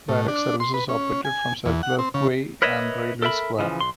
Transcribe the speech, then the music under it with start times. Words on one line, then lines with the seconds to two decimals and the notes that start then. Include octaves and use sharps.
Direct services operated from Circular Quay and Railway Square.
0.09 A2
0.28 D4
0.60 C6
0.74 B4
0.89 C#4
1.25 G#5
1.66 E2
1.83 F#5
1.99 C4
2.14 C#3
2.62 A#4 B4 C#5 D#5 E5
3.22 A4 A#4 E5 B5
3.59 C#3 E3 F3
3.81 B1 C6